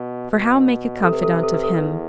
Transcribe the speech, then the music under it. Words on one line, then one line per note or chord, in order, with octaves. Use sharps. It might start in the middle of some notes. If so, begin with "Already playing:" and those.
For how make a confidant of him?
Already playing: B2
B2
C3 A4
B4
A4
B4
A4
B4
A4
E2 B4